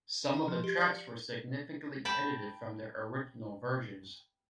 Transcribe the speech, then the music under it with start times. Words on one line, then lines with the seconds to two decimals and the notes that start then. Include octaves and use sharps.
Some of the tracks were significantly edited from their original versions.
0.34 D#5
0.48 F3
0.64 G4
0.77 D5
0.89 C#7
2.05 G5 A5 B5